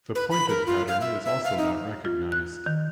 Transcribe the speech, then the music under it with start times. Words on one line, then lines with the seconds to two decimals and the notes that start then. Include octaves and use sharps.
The pointed pattern is also not recognized.
0.15 B4
0.31 B5
0.49 A#4
0.67 F4
0.88 F5
1.01 E5
1.25 E5
1.44 F5
1.58 D#4
2.05 F4
2.32 F#6
2.66 D#3